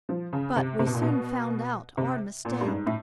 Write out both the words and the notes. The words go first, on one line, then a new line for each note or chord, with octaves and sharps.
But we soon found out our mistake.
F3
C#3
C3
C3
B2
A#2
B2
C3
A#2
G2
G#2
A2